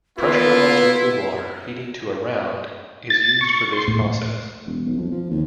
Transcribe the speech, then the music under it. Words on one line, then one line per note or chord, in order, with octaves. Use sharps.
Pressurized liquid water heated to around is used for this process.
A#3 B3 E4 F4 B4
A6
C#6
C6
A2
E1
B1
F2
F3
D#2